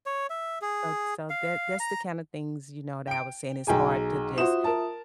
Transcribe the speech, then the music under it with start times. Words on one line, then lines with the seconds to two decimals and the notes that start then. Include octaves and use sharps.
So ts so that's the kind of things, you know, that I was saying. It's hard to just,
0.06 C#5
0.30 E5
0.62 G#4
1.30 F5
1.80 A#5
3.07 G5 D7
3.67 B1 G#4 G5 G#5 A#5
4.38 F4 F#4 C5 E5 D#6 E7
4.64 A#4 A5